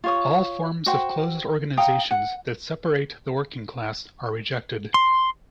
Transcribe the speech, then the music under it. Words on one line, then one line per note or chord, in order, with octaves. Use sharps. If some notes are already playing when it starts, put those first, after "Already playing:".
All forms of closed organizations that separate the working class are rejected.
F4 C#5 D#6
F#4 C5 G5
F5 G5 A#5 D#6
F#5
C6